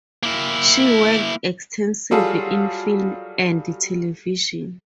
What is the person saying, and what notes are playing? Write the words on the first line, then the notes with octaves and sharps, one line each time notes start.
She worked extensively in film and television.
A#3 E4
F#3 G3 F4 G#4 A4